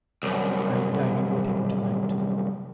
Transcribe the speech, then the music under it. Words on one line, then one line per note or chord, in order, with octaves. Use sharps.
I'm dining with him to-night.'
C2 F#2